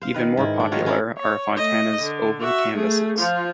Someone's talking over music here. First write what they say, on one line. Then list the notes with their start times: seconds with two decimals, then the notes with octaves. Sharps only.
Even more popular are Fontana's oval canvases.
0.02 C5 F5
0.14 D#3 B4
0.37 G#2 D#3 E4
0.60 D4
0.72 D#3 F4 F#4 C#5
0.86 C#4 E4 F4 A#4
1.17 C#5
1.57 A3 D#5
2.02 D3
2.40 F#4 E5
2.75 A3 G#4
3.18 F3 F4